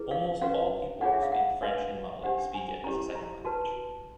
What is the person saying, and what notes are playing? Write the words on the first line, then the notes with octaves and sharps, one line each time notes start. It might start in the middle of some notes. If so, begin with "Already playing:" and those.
Almost all people who speak French in Mali speak it as a second language.
Already playing: E4 G#4 B4
F5
C#4 F#4 B4 F5
D4 F4 G#4 C#5 F#5
E5
F5
F#5
D4 F#4 B4 F5
D4 G4 C5 F#5
G5
G#5
C#4 E4 G4 A#5
A#5
F#4 B4 A5